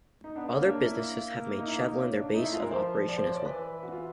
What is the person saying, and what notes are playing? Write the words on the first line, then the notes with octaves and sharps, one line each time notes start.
Other businesses have made Shevlin their base of operations as well.
D#4
B3 D4
A#3 C#4
D4
E4
A#3
D#4
E4
D#4
C#4
D4
A3 D#4
E4
G#3 F4
A#4
F3 C5
D5
C5
C#5
F3 D5
E3 B4
F#4
F4